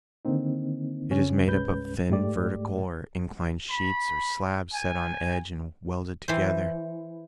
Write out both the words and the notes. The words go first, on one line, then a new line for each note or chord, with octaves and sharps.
It is made up of thin vertical or inclined sheets or slabs set on edge and welded together.
D3 D#3 A#3 C4 D#4
C#3 F3 C#4
C2 G2 G#3 C#4 B4 G6
G#2 G#3 A3 G4 D5
B5
G#5
E3 C5